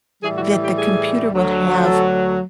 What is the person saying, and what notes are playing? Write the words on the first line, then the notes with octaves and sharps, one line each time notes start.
that the computer will have
A2 E3 G3 G#4
F#4
G4
G4
G#4
D2 D3 F#3 A3
A4